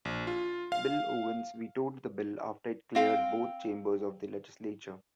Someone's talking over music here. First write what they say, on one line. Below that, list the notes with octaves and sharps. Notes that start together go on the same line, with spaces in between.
Bill Owens vetoed the bill after it cleared both chambers of the legislature.
A#1
F4
F5
C4 F5 G5